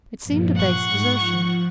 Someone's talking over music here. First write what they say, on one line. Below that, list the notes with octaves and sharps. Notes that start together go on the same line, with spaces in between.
It seemed a base desertion.
G2 A#2 F3
F#5 C#6 C7
G#2
F3